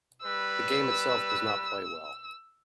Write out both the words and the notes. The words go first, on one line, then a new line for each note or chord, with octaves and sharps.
The game itself does not play well.
G3 B4 E6